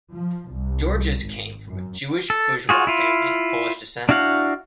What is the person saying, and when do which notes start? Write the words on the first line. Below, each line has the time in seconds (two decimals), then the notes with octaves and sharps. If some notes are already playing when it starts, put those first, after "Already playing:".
Georges came from a Jewish bourgeois family of Polish descent.
0.10 F3
0.50 C2
1.21 G#1
1.68 F#2
2.30 A4
2.69 F4 F#4 G#4
2.87 E4 F4
4.09 D4 E4 F#4 F5 F#5